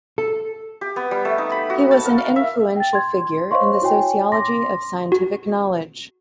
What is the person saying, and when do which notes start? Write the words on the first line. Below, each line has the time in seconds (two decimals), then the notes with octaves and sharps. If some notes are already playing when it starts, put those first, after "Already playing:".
He was an influential figure in the sociology of scientific knowledge.
0.18 A4
0.81 G4
0.96 B3
1.11 G3
1.25 A3
1.38 D#4
1.52 B5
1.70 F#4
1.91 A5
2.05 A#4
2.18 F5
2.36 E5
2.76 G5 A6
2.93 C6 G#6
3.51 C5 C#5 D#5 F5 C6 C#6
3.81 E4 F#4 C#5 G5 G#5
4.32 C6 D6 A#6
5.12 F#4